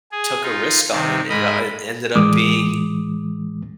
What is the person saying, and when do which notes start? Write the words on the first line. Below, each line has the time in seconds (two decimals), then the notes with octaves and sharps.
took a risk on and it, uh, ended up being
0.12 G#4
0.43 D#4 F4
0.92 C3 D#3
1.29 G#2 A#4 D#5 B5
2.16 A2 E3 G#3 D6 D#6